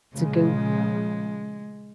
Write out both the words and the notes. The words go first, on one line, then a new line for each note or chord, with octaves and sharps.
to go
A#2 C#3 F3 G#3